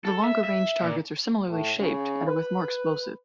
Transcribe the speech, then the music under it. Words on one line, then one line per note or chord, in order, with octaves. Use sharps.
The longer range targets are similarly shaped and are with more explosive.
A4
E5
E5
A#2
A2
C#3
B4